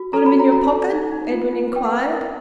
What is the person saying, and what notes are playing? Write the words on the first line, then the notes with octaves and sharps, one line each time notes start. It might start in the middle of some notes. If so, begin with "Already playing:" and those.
"Got 'em in your pocket?" Edwin inquired.
Already playing: F#4
A4 A#5
B5
F#4
A#5
F#4 A#5
A4
D#4
D#4
F4
F4
B4 G5
F#5
B4
G5
A#4